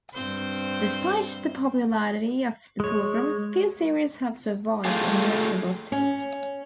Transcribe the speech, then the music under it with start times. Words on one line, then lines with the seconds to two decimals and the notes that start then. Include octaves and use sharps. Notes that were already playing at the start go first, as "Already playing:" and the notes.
Despite the popularity of the program, few series have survived in a listenable state.
0.14 G2 C4 C5
2.80 G#3 C#5
4.85 A3 F4 G4 G#4
5.92 C#4